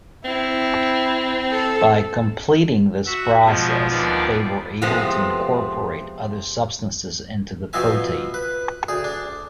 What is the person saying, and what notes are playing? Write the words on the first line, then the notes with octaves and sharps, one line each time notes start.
By completing this process, they were able to incorporate other substances into the protein.
C4 E4
A4
F#4 E5
B2 F3 G#3
D#2 F3 B3 D4 D5
C3 F3 G#3 A3 B3 C4
B2 F3 C4 F4 E5 G#5
B4
D2 G#4
D4